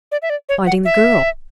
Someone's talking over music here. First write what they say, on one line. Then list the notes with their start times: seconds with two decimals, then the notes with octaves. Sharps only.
"Finding the girl."
0.12 D5
0.22 E5
0.30 D5
0.49 C#5
0.67 F#5
0.85 E5